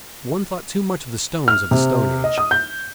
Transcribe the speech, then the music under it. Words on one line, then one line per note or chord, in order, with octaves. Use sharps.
One thought too much of the stones of the Stone Age.
F6
C3
D#5
D#6
G6